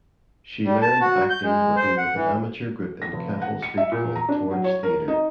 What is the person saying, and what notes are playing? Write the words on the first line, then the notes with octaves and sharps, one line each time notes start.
She learned acting working with an amateur group in Capel Street called Torch Theatre.
G3
A5
F#4
G6
G#3
C5
F#5
E3
A#6
F1
F#5
C#7
E5
A#2
A#5
D4
F#3
C#5
A#4
D#4